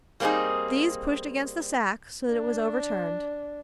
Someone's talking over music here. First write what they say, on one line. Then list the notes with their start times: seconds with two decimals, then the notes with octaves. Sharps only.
These pushed against the sack so that it was overturned.
0.20 G3 A#3 C4 C#4 D#4 G#4
2.30 D4